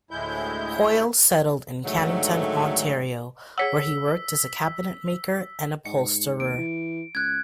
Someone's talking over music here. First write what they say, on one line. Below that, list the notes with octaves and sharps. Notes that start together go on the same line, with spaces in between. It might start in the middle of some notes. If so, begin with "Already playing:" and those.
Hoyle settled in Cannington, Ontario, where he worked as a cabinet maker and upholsterer.
D2 A2 G#3 E4 G6
G#2 D3 D#3 F#3 A3
G#4 C#5 F#5 E6 B6
G#2 C#7
D#2 D7
E3
C#2 F#6 G#6